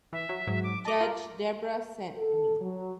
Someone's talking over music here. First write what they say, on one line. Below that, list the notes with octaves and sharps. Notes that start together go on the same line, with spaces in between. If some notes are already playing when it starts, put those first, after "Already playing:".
Judge Debra sent me.
E3 E5
F#3
G#2 F#3
D6
D#5 A5 D6
F4 A#4
A4
F#3